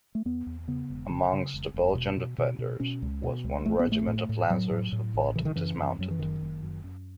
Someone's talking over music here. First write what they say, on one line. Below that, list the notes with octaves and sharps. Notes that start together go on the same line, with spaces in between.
Amongst the Belgian defenders was one regiment of lancers who fought dismounted.
A3
E2 B3
E2
C#3 B3
E1
C#3
C#3
E1
E1
B2
B2
B2
B2
B2 C#4
C#2
B2
C#2
A1 A3
B3
A2
A3
A2
A2
A2 F#3
A2
A2
A1
C#3 E3
D#3
F#2 E3
F#2
F#2 F#3
E3
F#1 D#3
F#1
F#2
F#2